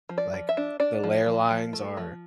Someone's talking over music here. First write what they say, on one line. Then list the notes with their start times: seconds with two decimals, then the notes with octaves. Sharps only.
like, the layer lines are
0.09 F3
0.18 D5
0.34 F3
0.49 E5
0.57 D4
0.80 D4 D5
1.04 F3
1.26 F3
1.51 F3
1.73 A3
1.97 F3